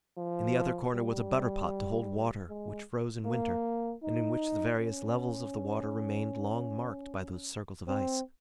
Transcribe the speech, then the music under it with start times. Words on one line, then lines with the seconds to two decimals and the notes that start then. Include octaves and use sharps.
In the other corner was a butter-pot to hold water, which froze in winter, and in which the various levels of the water remained long marked by these circles of ice.
0.18 F3
0.94 G3
2.49 G#3
3.25 A#3
4.03 D#4
4.79 C#4
7.88 C4